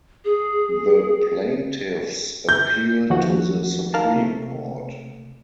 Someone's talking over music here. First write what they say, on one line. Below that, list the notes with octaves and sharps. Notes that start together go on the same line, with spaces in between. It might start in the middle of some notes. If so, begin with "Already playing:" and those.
The plaintiffs appealed to the Supreme Court.
G#4
G6
D#2 F3 A3 F#4 F#5
D#4 A#4 F5 A5
C3 A3